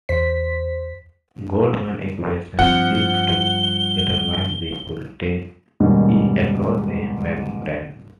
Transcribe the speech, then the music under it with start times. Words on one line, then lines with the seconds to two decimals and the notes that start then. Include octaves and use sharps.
Goldman's equation seeks to determine the voltage "E" across a membrane.
0.09 E2 C5 B6
2.59 G2 F3 C4 F#5 G7
5.80 D#2 G#2 B2 D#3 G3 C#4